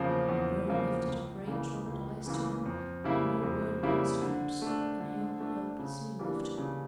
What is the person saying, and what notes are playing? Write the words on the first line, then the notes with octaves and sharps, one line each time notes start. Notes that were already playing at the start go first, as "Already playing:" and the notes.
The girl lifted her great troubled eyes to him, but no word passed her lips, and Hale helplessly left her.
Already playing: E2 C#3 F3 A#3
E2
C#3 F3 A#3
C#2
C#3 E3 A#3
C#2
C#3 E3 A#3
F2
C#3 G3 A#3 E4
F2
C#3 G3 A#3 E4
D3
A3 D4
D3
A3 D4
C#3
E3 G3 A#3 D4
C#3